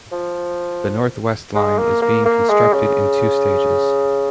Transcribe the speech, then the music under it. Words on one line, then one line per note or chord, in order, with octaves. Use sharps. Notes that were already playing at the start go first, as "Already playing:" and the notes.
The North West Line is being constructed in two stages.
F3
G#3
A#3
A#3
A#3
G#3
C#3